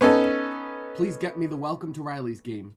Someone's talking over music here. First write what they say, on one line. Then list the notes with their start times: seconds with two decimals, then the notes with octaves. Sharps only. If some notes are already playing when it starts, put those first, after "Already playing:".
Please get me the Welcome to the Rileys game.
0.01 B3 C#4 D#4 A4